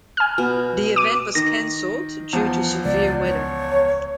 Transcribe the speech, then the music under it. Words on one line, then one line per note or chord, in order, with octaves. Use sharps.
The event was cancelled due to severe weather.
G#5 F6
B2 B3
D6 D#7
D#3 A#6
E2 F3
C#2 D5
C#5